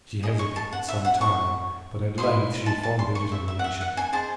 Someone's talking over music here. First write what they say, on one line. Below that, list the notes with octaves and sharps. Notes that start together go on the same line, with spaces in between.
She hesitated some time, but at length she formed her determination.
G#4 D#5 D#6
C#6
A5
F#5
E5
F#5
C#6
C5 D#5 C6
E4
A5
A5
C6
C#6
E5
E5
F#5
E5
F#5
G#5
G#4 C5 D#5 A5